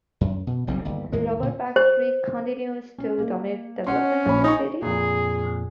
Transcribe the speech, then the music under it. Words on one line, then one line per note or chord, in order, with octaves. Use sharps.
The rubber factory continues to dominate the development of the city.
F#2
B2
F#1 B1 G3 C4
G1 D#2
D#2 A2 G#3
A#2 D3
C5
C#4
A#3
C#4 C#5 F#5 C6
A#1 B5
D#4 D#5 G#5 C#6
F2 A#2 G#4